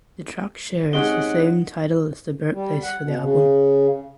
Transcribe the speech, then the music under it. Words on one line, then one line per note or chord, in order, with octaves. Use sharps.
The track shares the same title as the birthplace for the album.
C3 G#3 C4 C#4 D#4 D#5 F#5 D7
G3
F#5
B2
C#3